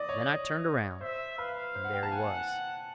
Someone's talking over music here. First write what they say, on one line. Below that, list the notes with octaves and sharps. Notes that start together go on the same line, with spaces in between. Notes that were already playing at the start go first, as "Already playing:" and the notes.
Then I turned around and there he was.
Already playing: D5 D#5
C#5
C5 E5
B4 F5
C5
F#5
G5
A5
F#5 G#5